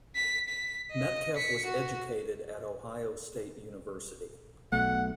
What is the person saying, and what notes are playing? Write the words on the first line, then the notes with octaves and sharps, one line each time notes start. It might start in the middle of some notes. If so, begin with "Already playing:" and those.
Medkeff was educated at Ohio State University.
B6
B6
D#5
B6 C#7
F#4
B1 B2 A3 F#5